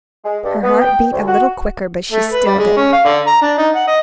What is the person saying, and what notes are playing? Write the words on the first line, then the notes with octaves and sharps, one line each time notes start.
Her heart beat a little quicker; but she stilled it.
G#3
G2
B3
G5
D2
F#4
A3
B4
G3
G#3
C#4
F5
D3
A#5
D4
D#4
F#5
D#5